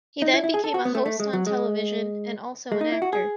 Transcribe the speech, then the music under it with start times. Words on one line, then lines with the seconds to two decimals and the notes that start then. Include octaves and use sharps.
He then became a host on television, and also an actor.
0.22 D#4
0.34 E4
0.44 E4
0.54 G#4
0.64 A4
0.74 F#4
0.85 B3
0.95 A3
1.06 A3
1.20 G#3
1.33 F#3
1.47 G#3
2.72 G#3
2.81 D#4
2.92 E4
3.02 F#4
3.13 G#4